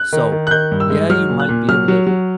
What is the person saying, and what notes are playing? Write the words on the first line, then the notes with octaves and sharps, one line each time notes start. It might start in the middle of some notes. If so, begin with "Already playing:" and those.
so, yeah, you might be able to
Already playing: F#6
D#3
D#3
F#6
D#3 G6
G2
E6
G#3
F#3 F6
A#2
F#6
A#2
F#3 F6
F#3
F#3